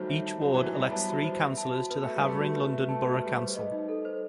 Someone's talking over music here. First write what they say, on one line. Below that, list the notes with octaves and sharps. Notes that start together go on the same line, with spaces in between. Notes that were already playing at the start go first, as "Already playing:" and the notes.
Each ward elects three councillors to Havering London Borough Council.
Already playing: D#3 F#3 G3 A3 F#4 C5 A5
E5
A5
F#3 F#4
E3 C5
F#3
G3 E5
B3 A5
F#4
C5
E5
A5
F#4
B3 B4
A3 E5
G3
A5
A3
F#4
B4
E5
A3 A5
B3 F#4
A3
G3 B4
G3 C5
D#5
D#4
A4
C5